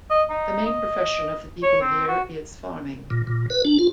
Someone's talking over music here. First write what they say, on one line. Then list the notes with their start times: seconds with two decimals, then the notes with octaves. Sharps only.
The main profession of the people here is farming.
0.10 D#5
0.30 D#4
0.66 D#5
1.63 C#5
1.81 C4
2.08 F#4
3.10 A#2
3.27 A#2
3.50 B4
3.65 D4
3.79 F4